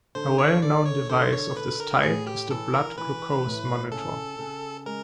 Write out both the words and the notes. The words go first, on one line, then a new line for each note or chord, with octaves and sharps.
A well-known device of this type is the blood glucose monitor.
D3 C5
C#5
D3 D5
C#5
D3 C5
C#5
D3 B4
A#4
A2 G#4
G4
E3 A4
A#4
E3 B4
A2
C#3 A4
C#3
G#3 A#4